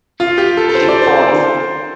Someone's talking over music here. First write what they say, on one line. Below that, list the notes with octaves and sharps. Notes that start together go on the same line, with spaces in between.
Keep going!
F4
G4
A4
A4
C5
D5
C5
C5